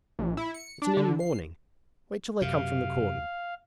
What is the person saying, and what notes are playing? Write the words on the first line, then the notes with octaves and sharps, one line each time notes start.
It's nearly morning; wait till they come from the cordon.
A#1
E4
C#7
D4
D3
C7
F#2 C3 F5